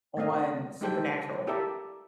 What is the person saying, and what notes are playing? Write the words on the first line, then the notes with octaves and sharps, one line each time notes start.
on Supernatural.
A3 A#3 C4 D#5 F5
G#3 D#4 G4 A4 C5 G5
E4 G4 A4 A#4 D5 E5